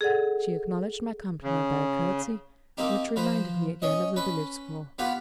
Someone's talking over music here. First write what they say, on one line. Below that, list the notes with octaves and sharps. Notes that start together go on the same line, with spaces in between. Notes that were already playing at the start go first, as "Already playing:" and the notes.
She acknowledged my compliment by a curtsey, which reminded me again of the village school.
G#4 A4 D5 F#5
C#3
A#3 C4 D#4 G4
F3 B4 C5
C#4 C#5 D#5
C#4 B4 B5
B3 F4 G4 B4